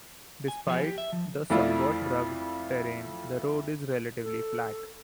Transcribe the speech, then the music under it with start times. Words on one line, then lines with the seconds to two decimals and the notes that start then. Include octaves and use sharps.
Despite the somewhat rugged terrain, the road is relatively flat.
0.48 G#5
0.67 F3 B3 F4 G#4 G#5
0.84 G4
0.98 E5
1.13 F3
1.50 F2 A3 E4 F4 D5
4.23 A4